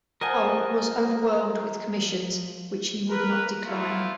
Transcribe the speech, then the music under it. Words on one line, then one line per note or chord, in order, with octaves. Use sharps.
Holl was overwhelmed with commissions, which he would not decline.
F3 A#4 D#5 F#5 G#5 A5
A#4 B4
A3 B3 E4 F4